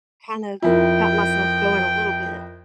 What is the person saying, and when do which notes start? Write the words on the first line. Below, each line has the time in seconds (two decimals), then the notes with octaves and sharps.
kind of got myself going a little bit,
0.63 F2 E4 F4 A#4 G5